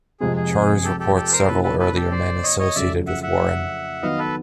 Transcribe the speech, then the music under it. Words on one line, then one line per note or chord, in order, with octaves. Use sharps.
Charters report several earlier men associated with Warenne.
F2 C3 F3 G#3 C4 G#4
G#4
G4 A4
G4 A4
G4 A4
A#4 C5
C3 F3 A#3 C#4 E4 A4 B4
A4 B4
A4 B4
G4 A4
C5 D5
C#5 D#5
C#5 D#5
F2 C#3 F#3 A3 C#4 D5 E5
E5 F#5
E5 F#5
D#3 F#3 B3 D#5 F5
A4 B4